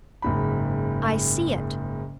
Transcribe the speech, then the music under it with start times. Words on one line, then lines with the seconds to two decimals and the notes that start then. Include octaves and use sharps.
I see it!
0.22 F#1 G#2 B5